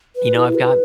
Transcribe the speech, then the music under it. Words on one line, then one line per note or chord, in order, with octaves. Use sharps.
you know, I've got
B4
E4
B4